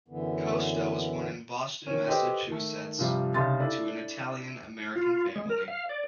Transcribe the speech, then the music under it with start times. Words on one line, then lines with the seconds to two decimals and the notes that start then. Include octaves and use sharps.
Costa was born in Boston, Massachusetts to an Italian American family.
0.08 F#2 D3 E3 B3
1.87 D#3 C#4
2.08 G4 A4 B4 C5 D#5 G5
2.48 D#3 A3
2.98 G2 C3 F3 G3
3.34 C2 C#3 D#4 C6 A6
3.60 D4 E4 A4
4.96 F4
5.36 G#3
5.50 A#4
5.68 F5
5.89 D5